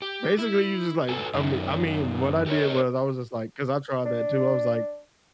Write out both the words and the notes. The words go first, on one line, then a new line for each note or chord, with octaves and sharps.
Basically, you just like, uh, I mean I mean, what I did was I was just like 'cause I tried that too, I was like,
G4
E4
F#4 A4 B4 G#5
F#2 D#3
G4 A#4 B4 C#5
D4